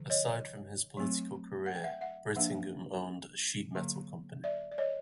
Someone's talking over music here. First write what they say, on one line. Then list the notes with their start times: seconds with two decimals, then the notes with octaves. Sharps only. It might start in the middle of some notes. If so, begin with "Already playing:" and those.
Aside from his political career, Brittingham owned a sheet metal company.
Already playing: D3 F3
0.10 C#5 D#5
0.97 F#3 A3 C4
1.66 F#5
1.75 G5
1.84 E5 F#5
2.01 E5 F#5
2.36 F3 A#3 D4 E5 F#5
3.75 D3 F#3 A#3
4.44 D5 E5
4.72 D5
4.78 C#5 D#5